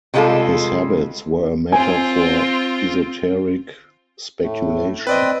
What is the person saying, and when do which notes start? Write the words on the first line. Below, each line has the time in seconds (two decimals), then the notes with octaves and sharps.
His habits were a matter for esoteric speculation.
0.14 C3 G3 G#3 D4 F4 A4
1.72 C4 F4 G#5
4.44 A2 A3
5.07 C4 B4 D5 D#5